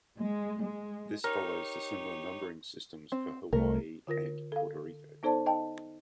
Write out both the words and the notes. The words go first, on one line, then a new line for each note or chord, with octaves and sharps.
This follows the similar numbering systems for Hawaii and Puerto Rico.
G#3
G#3
D#4 G4 A#4 C#5
C4
C2 A3 A#4
D3 F4 A#4 A#6
A4 F5
B3 D#4 A4 C5 D5 A5
D#4 D#5 G5 A5